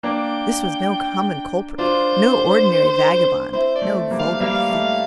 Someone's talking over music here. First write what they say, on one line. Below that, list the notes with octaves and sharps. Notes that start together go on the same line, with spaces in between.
This was no common culprit, no ordinary vagabond, no vulgar thief.
A#3 D4 G5
D4 F4 C5
C4 E4 C5
D5
A3 C4
G3 A#3
F5
G3 A#3 F5
A3